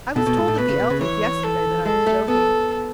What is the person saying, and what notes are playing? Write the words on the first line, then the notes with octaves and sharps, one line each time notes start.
I was told at the elder's yesterday that I was joking.
B2 A4
B2
G#2
A2
B2 B4
C#3
B2
C#3
E3 C#5
A4
G#3 A4
A3
B3 A4